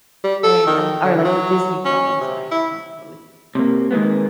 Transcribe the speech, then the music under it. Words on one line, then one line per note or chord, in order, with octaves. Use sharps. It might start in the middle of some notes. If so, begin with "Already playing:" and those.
and I'm li or, like, to Disney World, I'm sorry. Not Flori Florida.
G3
A4
D#3
D3
F#3
C#4
C3
E4
C3 A#3
D#3 G#3 A#3 B3